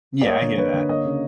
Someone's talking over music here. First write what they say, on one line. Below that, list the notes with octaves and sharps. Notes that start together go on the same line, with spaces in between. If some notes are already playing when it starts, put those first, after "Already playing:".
Yeah, I hear that.
D5
A#3 C#5 D#5
D3
D3 B4 C#5
D3
A#3 C#5 D#5
C#3